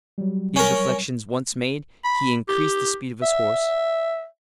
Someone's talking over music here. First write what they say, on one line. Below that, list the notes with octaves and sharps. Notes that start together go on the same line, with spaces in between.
These reflections once made, he increased the speed of his horse.
F#3 G3
C#4 A#4
B5
G4
E5